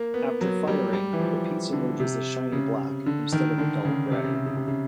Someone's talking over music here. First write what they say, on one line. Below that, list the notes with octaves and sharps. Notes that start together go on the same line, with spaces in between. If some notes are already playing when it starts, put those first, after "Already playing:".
After firing, the piece emerges a shiny black instead of a dull gray.
Already playing: A#3
B3
F#3
G3
G3
E3
F3
D3
C3
C#3
D3
D#3
D3
C#3
C3
C#3
C3
C#3
C3
C#3